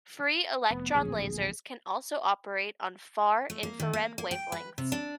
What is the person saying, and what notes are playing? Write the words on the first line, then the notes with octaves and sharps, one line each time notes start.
Free electron lasers can also operate on far infrared wavelengths.
F1 B3
D1 A#1 G#4
A3
A#3
D#3
A#3
A#3
G5
B4
C3
D4